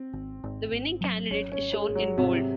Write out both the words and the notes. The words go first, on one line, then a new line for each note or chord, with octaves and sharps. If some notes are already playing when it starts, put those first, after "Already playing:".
The winning candidate is shown in bold.
Already playing: C4
G#1
G#1
G#1
F#3
G#1 C#4
C#4
G#1
G#3
G#1
F#3
G#2 C3